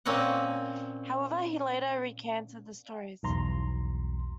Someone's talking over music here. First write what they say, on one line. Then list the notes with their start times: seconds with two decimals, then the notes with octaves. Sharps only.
However, he later recanted the stories.
0.05 A#2 A#3 C4 C#4 D#5 F#5
3.23 B1 E2 A#5 C6